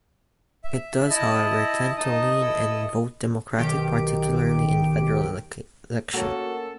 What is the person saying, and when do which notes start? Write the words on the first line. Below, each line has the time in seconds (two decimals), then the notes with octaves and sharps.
It does however, tend to lean and vote Democratic particularly in federal elections.
0.64 E5
1.10 E4 D#5 A5
1.98 D#4 D#5 A5
2.41 E4 A4 E6
3.58 B1 D#3 G4 D7
6.13 A#3 C#4 F#4 A4